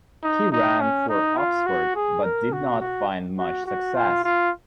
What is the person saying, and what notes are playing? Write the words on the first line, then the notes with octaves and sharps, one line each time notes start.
He ran for Oxford, but did not find much success.
D#4
D#4
C#4
D#4
F4
F#4
G#4
A#4
F#4
F#4
F#4
F#4
F4
F4